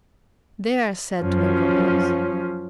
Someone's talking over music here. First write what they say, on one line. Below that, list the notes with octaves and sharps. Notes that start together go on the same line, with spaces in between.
"There!" said Twinkleheels.
F#2 F3 C#4